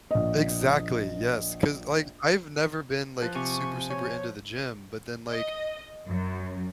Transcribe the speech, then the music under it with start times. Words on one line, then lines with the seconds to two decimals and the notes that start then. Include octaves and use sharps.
Exactly. Yes. 'Cause, like, I've never been, like, super, super into the gym, but then, like,
0.11 A#1 D#5
3.18 F3 F#6
3.36 C3 G#5 C#6
3.90 C#5
5.31 D#5
6.08 F#2